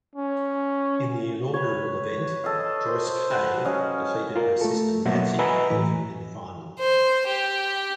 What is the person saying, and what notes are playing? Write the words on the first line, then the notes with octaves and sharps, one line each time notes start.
In the inaugural event, Joyce Cave defeated her sister Nancy Cave in the final.
C#4
B4 C#5
A4 D#5 F5
C5
B4 F#5 A5
F#3 C#4 D#5 F5
F4 A#4
A3 A4
B2 F#3 A#3 E5 F#5
B4 D#5 G#5 A#5 B5 E6
A2 E3
C5
G4